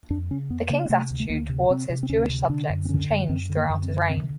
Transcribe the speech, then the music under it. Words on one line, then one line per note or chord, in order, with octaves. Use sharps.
The King's attitude towards his Jewish subjects changed throughout his reign.
F2 D4
C#3 C#4
F2 B3
C#3 A#3
A#3
C3 A3
D2
A3
D2 A#3
C3
C3 C4
C3
C4
D2 C#4
C3
D3 D4
F#2
C4
D3 C#4
F#2
F#2 C4
D3
A#3
F#2
C4
D3
C3 C4